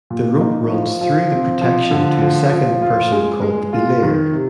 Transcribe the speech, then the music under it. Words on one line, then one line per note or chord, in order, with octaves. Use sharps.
The rope runs through the protection to a second person called the belayer.
A#2
D#4
F3
F3
C4
F3
D3
F3
F3
F4
G#3
G#3
F4
D#3
C3